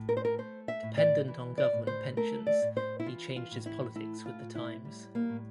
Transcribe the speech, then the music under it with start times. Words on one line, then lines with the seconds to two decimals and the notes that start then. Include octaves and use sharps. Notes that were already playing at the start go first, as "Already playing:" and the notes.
Dependent on government pensions he changed his politics with the times.
Already playing: A2
0.09 A#4
0.17 C5
0.25 A#4
0.38 A3 C5
0.68 E5
0.83 A2
0.98 D5
1.28 E3
1.58 D5
1.72 A2
1.87 C5
2.17 A3 A#4
2.47 D5
2.62 A2
2.77 C5
3.00 E4
3.06 E3 F4
3.36 F4
3.51 A2
3.66 E4
3.96 A3 E4
4.26 F4
4.41 A2
4.55 E4
4.85 G3
5.15 A#3
5.30 A2